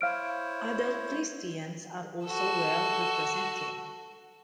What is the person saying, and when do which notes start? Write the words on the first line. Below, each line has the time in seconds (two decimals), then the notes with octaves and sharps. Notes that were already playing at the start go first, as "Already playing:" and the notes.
Other Christians are also well represented.
0.01 E4 C5 C#5 F5 F6 D7
2.25 F#4 A4